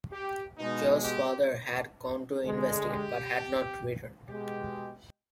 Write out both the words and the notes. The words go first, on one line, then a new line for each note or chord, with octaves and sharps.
Jo's father had gone to investigate but had not returned.
G4
B2 G#3 D#4
G4
D3 G#3
G4
B2 G#3 G4